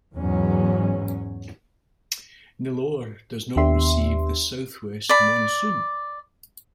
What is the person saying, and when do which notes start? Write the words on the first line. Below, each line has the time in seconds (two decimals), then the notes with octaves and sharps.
Nellore does not receive the south-west monsoon.
0.14 E2 G#2 F#3 C#4
3.56 D#2 B3 D4 G4 E5 C6
5.09 D5 B5